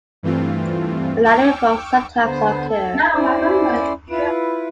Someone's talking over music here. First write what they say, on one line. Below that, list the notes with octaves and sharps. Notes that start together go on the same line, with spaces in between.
Melanic forms sometimes occur.
G2 E3 A3 C4 F4
G5 C#6 D6 E6 F6
D3 B3 C5
A4
C#4 E4 C5 D5
E4 F4 B4